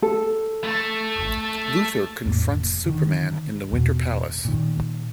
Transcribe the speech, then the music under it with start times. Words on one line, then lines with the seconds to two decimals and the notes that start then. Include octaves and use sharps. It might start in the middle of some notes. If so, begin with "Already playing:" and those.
Luthor confronts Superman in the Winter Palace.
0.02 A4
0.64 A3
2.26 E2 A2 A#3
2.55 F1
2.85 D3 D#3
3.72 E2 B2
4.45 A#2 D#3